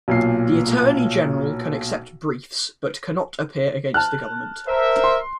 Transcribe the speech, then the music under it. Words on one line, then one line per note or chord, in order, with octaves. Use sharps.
The Attorney General can accept briefs but cannot appear against the Government.
B1 A#2 C7
A5 F6 F#6
A#4 C5 E5
C6